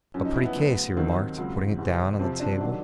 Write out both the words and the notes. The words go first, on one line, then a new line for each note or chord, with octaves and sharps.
"A pretty case," he remarked, putting it down on the table.
F#2 C#3 F3 C#4
D#4
E4
B3
D2 C#3 F#3
D#2 D#3 F#3 C4
C#2 C#3 F#3
E2 C3 E3
F2 C3 F3 C4
D4
C3 D#3 F#3 D4